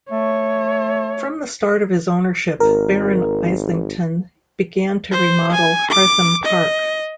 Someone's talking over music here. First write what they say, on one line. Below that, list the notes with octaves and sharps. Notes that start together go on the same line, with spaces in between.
From the start of his ownership, Baron Islington began to remodel Hartham Park.
A3 C#5
G#1 A#4
C5
G#5
D6
D#5